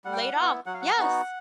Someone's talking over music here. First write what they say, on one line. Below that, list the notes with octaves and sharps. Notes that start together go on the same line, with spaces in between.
Laid off. Yes.
G3 F#5
G5
F#5
B3 E4
F#3 F#5
F5
F#5
B3 D#4 F#4